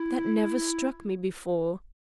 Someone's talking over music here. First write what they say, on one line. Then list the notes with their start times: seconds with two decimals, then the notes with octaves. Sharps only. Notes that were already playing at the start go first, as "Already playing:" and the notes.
"That never struck me before."
Already playing: E4